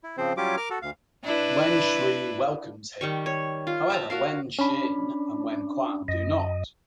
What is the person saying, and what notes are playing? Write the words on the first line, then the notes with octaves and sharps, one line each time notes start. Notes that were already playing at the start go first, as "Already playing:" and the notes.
Wen Shui welcomes him; however Wen Xin and Wen Quan do not.
E4
C#3 F3 C4 C5
F#3 G3 C#4 F4 G4 D6
A#4 D6 F6
F#4 A4
D2 F5
D4 E4 B4
D#3 G3 C#6
C#5
F4
E5 A5 A#5
F#4 A#4 F5
C#4 D4 B5
F#2 D#5